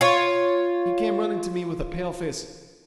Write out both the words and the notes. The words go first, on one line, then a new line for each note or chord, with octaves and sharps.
He came running to me with a pale face....
F4 C#5